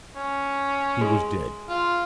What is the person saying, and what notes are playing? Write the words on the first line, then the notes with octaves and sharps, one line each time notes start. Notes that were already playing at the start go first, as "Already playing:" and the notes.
He was dead!
C#4
G#3
F4